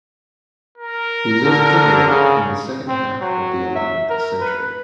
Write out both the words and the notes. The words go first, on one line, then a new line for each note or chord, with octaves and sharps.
He lived and worked in the second half of the eleventh century.
A#4
D3
C#3
C4
F#3
E5
A#4
B4